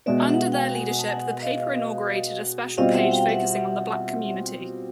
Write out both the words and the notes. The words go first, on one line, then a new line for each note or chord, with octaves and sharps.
Under their leadership, the paper inaugurated a special page focusing on the black community.
B2 G#3 B3 D5 E5
E5 F#5
F5 G5
F#5 G#5
A5
F#5 G#5
D#5 F5
B2 G3 C4 F4 D#5 F5
E5 F#5
F5 G5
E5 F#5